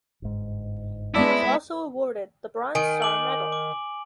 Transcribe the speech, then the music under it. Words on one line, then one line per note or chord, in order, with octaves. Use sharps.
He was also awarded the Bronze Star Medal.
G1 G#2
G#3 B3 E4 D5 A5 E6
D#3 G#5 D7
D6 F#7
D6